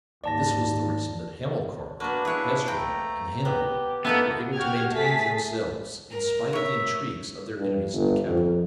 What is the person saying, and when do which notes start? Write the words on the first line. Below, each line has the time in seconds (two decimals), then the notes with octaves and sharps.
This was the reason that Hamilcar, Hasdrubal, and Hannibal were able to maintain themselves in spite of the intrigues of their enemies in the capital.
0.24 D#2 G#2 D5 A5 A#6
2.00 A#3 B3 D4 F#4 B4
2.25 E4 G#4 C#5
2.68 A3 G5 A#5
3.45 B3 G4
4.05 A#3 B3 D#4 E4 A4 E5 B5 E6
4.54 F#4 G4 F6 G#6
4.92 A3 G#4 A6 B6
6.11 A#4
6.53 C#5 E5
7.56 G2
7.93 G1
8.26 F2